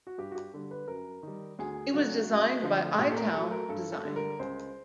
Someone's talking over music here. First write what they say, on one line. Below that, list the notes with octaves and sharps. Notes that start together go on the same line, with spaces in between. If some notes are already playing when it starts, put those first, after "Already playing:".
It was designed by Italdesign.
F#4
G2 G4
F#4
G4
D3 G3
B4
F#2 A#4
D#3 G3
D2 G#4
C#3 F#3 A3 F#4
F#2
D3 F3 A3
A#2 G4
A4
A#4
F#3 A3 A4
A#4
G2 A4
A4
D3 G3
A#4
C#2 C5